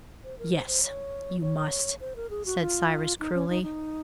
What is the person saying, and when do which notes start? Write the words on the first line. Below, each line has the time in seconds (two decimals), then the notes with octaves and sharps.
"Yes, you must," said Cyrus cruelly.
0.24 C5
0.39 A#4
0.53 C5
0.67 C5
0.83 C#5
1.42 C#5
2.00 C5
2.16 A#4
2.30 G#4
2.46 F#4
2.60 F4
3.20 D#4
3.34 C#4
3.49 D#4
3.63 D#4